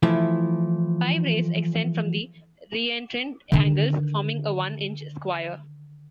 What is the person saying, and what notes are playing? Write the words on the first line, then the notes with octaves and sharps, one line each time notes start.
Five rays extend from the reentrant angles, forming a one-inch square.
E3 F3 A3 E4
D3 D#3